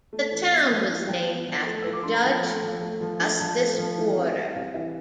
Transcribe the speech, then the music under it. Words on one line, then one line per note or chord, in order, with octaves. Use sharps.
The town was named after Judge Augustus Porter.
A3
E3
B3
F3
E4
F3 G5
B3
F3
A3
F3 E6
D6
D4 C6
B5
F3 A5
A3
F3
A3
F3
D4
F3 A5
A3
F3
E3
C4
G3
C3 F5
E3 E5